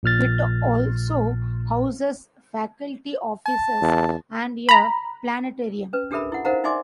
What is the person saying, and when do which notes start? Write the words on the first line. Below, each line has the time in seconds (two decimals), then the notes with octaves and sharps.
It also houses faculty offices and a planetarium.
0.03 A#1 A#2 F6 A6
3.46 A5
3.81 E2
4.69 A#5 B5
5.93 C#4 B4
6.11 D4 G4 A4 A#4 E5 B5
6.32 E4 F#5
6.45 D#4 A#4 C5 F5 F#5 A#5
6.64 D#4 D5 E5 G#5 C6 D6